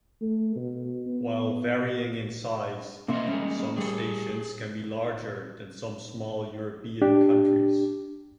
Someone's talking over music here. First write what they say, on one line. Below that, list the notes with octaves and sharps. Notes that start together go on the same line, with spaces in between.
While varying in size, some stations can be larger than some small European countries.
A3
B2
B3
B2 A#3 C4 C#4 D#5 E5
G3 G#3 A#3 C#4
A2 G3 G#4 A4
D4 G4